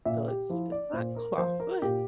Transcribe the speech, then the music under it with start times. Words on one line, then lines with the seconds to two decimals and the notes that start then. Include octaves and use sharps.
So it's it's not clawfoot
0.05 A#2 E5
0.28 G4
0.50 F3 E4
0.72 D5
0.93 A#2 C5
1.16 A#4
1.38 F3 C5
1.60 A#4
1.82 A#2 G4